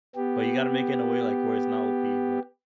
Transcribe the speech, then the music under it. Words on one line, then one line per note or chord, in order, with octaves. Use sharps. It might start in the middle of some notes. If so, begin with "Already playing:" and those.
But you gotta make it in a way, like, where it's not OP, but
B3 G4